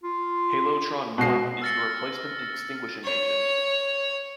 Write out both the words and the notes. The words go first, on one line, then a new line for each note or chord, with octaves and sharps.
Halotron I is the replacement extinguishing agent.
F4
B2 G#3 F#4 C7
E6 F6 A6 A#6 C#7
C#5